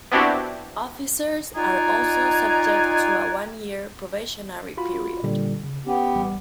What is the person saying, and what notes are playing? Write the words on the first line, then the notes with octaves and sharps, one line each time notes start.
Officers are also subject to a one-year probationary period.
B3 C4 D4 E4 F#4 G4
D#4 F4 D5 F#5 G#5 A#5
F4 F#4 B5
A#2 D3 G3
C#3
B3 C#4 G4
A1 G3